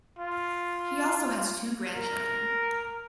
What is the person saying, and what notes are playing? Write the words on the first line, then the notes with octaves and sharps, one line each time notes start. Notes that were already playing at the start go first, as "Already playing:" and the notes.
He also has two grandchildren.
F4
A#4